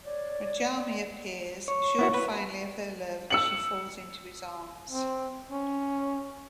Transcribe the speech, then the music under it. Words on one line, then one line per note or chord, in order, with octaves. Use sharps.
Radjami appears, assured finally of her love, as she falls into his arms.
C#5 D5
C#5
B3 E4 F#4
B4
E6 C#7 F#7
C4
C#4